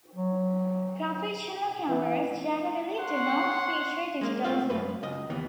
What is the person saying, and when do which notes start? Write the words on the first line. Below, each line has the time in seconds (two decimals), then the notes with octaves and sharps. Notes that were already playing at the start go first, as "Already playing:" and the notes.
Professional cameras generally do not feature digital zoom.
0.16 F#3
1.88 E3
3.00 C#5 F#5 C6
4.21 G#3 A#3
4.44 A3 C4 F4 F5
4.70 F#2 B4
5.03 C#2 D#5
5.30 D#2 E3 B3